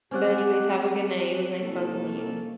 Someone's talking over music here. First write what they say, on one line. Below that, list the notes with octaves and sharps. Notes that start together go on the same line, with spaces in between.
But, anyways, have a good night, it was nice talking to you.
F#3 C4 C#4 G4 D5 F#5
C2 D#3 A#3 A4